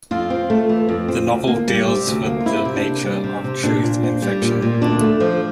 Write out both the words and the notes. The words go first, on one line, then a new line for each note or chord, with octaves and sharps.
The novel deals with the nature of truth and fiction.
F2 F4
C4
A3
E3
F2
C4
D2
A#3
G3
C3
D2
A#3
F4
C3 E4
C3
D4
A#3
G3
C3
C3
A#2 D4
A#2
C4
G3
A#2
A#2
D2 D4
A3
F3